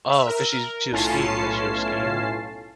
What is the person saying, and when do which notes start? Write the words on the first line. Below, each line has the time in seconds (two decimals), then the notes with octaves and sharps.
Oh, 'cause she's she was skiing 'cause she was skiing?
0.10 E5
0.27 A#4
0.92 B1 A2 C#4 F4 A5 C7